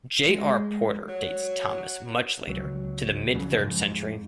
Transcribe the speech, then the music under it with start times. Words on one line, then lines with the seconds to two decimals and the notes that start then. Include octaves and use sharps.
J. R. Porter dates Thomas much later, to the mid-third century.
0.25 G#3
1.08 F#3
2.47 C#2 F#3
3.34 F2 C#3 F#3
3.59 F2 G#2